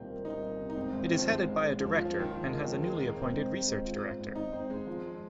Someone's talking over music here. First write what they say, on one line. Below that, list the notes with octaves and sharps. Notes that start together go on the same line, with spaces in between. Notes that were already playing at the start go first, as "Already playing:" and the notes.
It is headed by a Director, and has a newly appointed Research Director.
Already playing: C2 A#2 D#3 C4
A#3
C2 D#4
A#3
C3
D#4
G#1 C4
G#1
G#2 D#3
F3
G#1 G#3
G#1
G#2
D#2 F3
F4
F3
F4
D#3
F3 F4
D#3 G#3
D#2 F3
D#3 G#3
D#3 A#3
G#2 C4
D#3
G#2
G#2
F4
F4
G#1
G#2 D#4
G#1 C4
G#1 G#3
F3